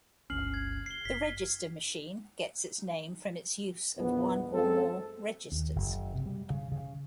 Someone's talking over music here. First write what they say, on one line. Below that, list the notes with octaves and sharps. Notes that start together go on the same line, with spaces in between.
The register machine gets its name from its use of one or more "registers".
G1 C#2 C#4 F6 C7 F#7
G#6
C7 G7
F#1 B6
A#1 E2 B3
F#2 G#3 C4 G#4 A4
D#2
F#1
C3
G3
C#3
C#3